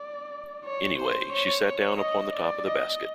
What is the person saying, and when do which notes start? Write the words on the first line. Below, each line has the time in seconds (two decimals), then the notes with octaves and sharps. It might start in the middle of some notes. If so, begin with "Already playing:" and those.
Anyway, she sat down upon the top of the basket.
Already playing: D5
0.65 C#5
0.98 C5
1.33 C#5
1.66 C#5
1.99 D#5
2.33 D5
2.67 D#5